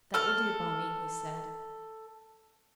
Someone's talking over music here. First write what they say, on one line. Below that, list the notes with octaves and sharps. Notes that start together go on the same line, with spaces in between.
"That will do Bonni," he said.
A4 F6